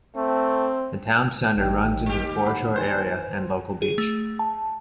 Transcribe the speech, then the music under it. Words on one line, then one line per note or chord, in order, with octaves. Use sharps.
The town centre runs into the foreshore area and local beach.
A3 C4
A1 D#2 G5
G3 G4
F#5 B5
B4 C5 G#5
G#4
A3
A5